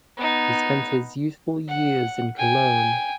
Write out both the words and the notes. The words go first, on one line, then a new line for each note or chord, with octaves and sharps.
He spent his youthful years in Cologne.
B3 D#4
F#5
G5 G#5